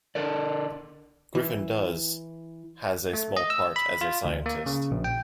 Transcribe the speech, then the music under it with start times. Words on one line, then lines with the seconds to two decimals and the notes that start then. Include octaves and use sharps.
Griffin does has a small part as a scientist.
0.15 D3 A4 A#4 D5
1.35 E3
3.13 A3
3.37 D#5
3.50 E6
3.76 B5
4.01 F4
4.25 D2
4.46 A#3
4.66 C#3
4.91 A#1
5.04 G5